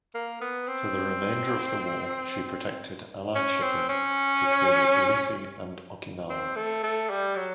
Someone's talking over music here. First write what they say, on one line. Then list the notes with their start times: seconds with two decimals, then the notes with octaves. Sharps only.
For the remainder of the war, she protected Allied shipping between Ulithi and Okinawa.
0.15 A#3
0.41 B3
0.68 C4
3.35 C#4
3.63 C4
3.89 C#4
6.30 C4
6.56 A3
6.84 A3
7.10 G3
7.36 F#3